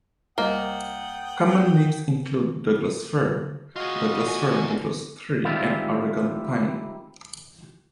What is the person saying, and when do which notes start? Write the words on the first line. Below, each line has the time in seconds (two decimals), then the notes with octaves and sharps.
Common names include Douglas fir, Douglas-fir, Douglas tree, and Oregon pine.
0.38 C2 A#3 A#4 D#5 F#5 G5 D#6
3.76 F4 F#4 G#4 D#5 D#6
4.27 E2 G#5
5.45 D#3 G3 G#3 C4 E4 F4